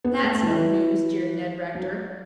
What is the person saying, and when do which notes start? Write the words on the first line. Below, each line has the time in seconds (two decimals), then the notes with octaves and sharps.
"That's no news," jeered Ned Rector.
0.04 B3
0.23 A3
0.43 E3
1.75 F#3